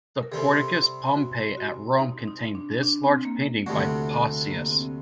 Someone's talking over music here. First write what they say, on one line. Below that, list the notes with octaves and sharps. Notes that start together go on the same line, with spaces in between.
The Porticus Pompei at Rome contained this large painting by Pausias.
A#4
C3 G3 C4 A4
F#4
F#4
D#4
D#4
D4
D4
C4
A#3
D2 C3 G3 A3 D4 F#4
A#3
C4